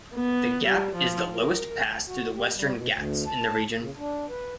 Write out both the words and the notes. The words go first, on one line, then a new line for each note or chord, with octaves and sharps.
The gap is the lowest pass through the Western Ghats in the region.
B3
G3
F3
A#4
D2
F#4
G4
G3
B2
D2
A5
C#3
D4
B4